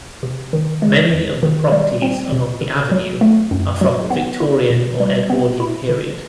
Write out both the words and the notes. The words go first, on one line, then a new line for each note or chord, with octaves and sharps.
Many of the properties along the Avenue are from the Victorian or Edwardian period.
C3
D#3
G#3
F2
D#3
G3
C4
C3
D3
F#3
A3
F#2
F#3
B3
E4
B2
G3
B3
E4
D3